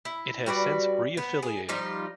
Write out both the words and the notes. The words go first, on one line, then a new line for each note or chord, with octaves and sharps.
It has since re-affiliated.
E4
G3 F#4 B4 D5
B3
G#4
F3 G3 D#4 F4